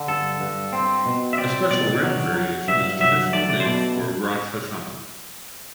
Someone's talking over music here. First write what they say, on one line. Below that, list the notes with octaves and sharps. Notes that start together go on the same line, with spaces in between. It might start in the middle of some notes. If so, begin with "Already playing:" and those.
A special round variation is traditionally made for Rosh Hashanah.
Already playing: D3
G2 A4
G2
C4
B2
E5
C4 D5
B2 D5
F#3
F#3
G2 E5
F#3 E5
A3 D5
D5
C5
B2 D5